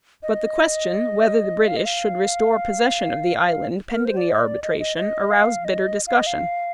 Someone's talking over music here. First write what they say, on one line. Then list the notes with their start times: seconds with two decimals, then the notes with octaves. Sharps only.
But the question, whether the British should restore possession of the island pending the arbitration, aroused bitter discussion.
0.23 D#5
1.68 F5
1.76 D#5
1.85 F5
3.92 A#4
4.05 C5
4.17 D5
4.29 D#5
4.46 D5
4.63 D#5
4.80 D#5
4.98 D#5
5.30 F5
5.65 D#5
6.07 F5
6.17 D#5
6.27 F5